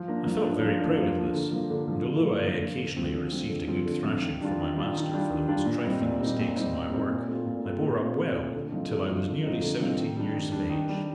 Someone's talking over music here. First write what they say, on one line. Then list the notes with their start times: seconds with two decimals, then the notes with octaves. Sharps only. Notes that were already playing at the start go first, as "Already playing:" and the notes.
I felt very proud of this, and although I occasionally received a good thrashing from my master for the most trifling mistakes in my work, I bore up well till I was nearly seventeen years of age.
Already playing: F3
0.08 A#3 D4
0.26 F3
0.44 A#3 D4
0.61 F3
0.80 A#3 D4
0.98 F3
1.16 A#3 D4
1.34 D3
1.51 F3 A#3
1.70 D3
1.88 F3 A#3
2.05 D3
2.23 F3 A#3
2.42 D3
2.61 F3 A#3
2.77 D3
2.96 F3 C4 F4
3.14 D3
3.32 F3 C4 F4
3.50 D3
3.68 F3 C4 F4
3.86 D3
4.04 F3 C4 F4
4.22 D#3
4.40 G3 D4 F4
4.59 D#3
4.76 G3 D4 F4
4.95 D#3
5.12 G3 D4 F4
5.30 D#3
5.48 G3 D4 F4
5.66 A#2
5.83 G3 C4 D#4
6.01 A#2
6.21 G3 C4 D#4
6.39 A#2
6.57 G3 C4 D#4
6.74 A#2
6.93 G3 C4 D#4
7.10 A#2
7.28 A3 C4 F4
7.46 A#2
7.64 A3 C4 F4
7.82 A#2
8.01 A3 C4 F4
8.18 A#2
8.36 A3 C4 F4
8.54 D3
8.72 F3 C4 D#4
8.90 D3
9.09 F3 C4 D#4
9.26 D3
9.44 F3 C4 D#4
9.62 D3
9.81 F3 C4 D#4
9.98 D#3
10.17 G3 D4
10.34 D#3
10.52 G3 D4
10.70 D#3
10.89 G3 D4